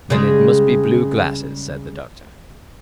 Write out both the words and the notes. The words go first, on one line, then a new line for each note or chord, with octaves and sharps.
"Then it must be blue glasses," said the doctor.
C#3 G3 G#3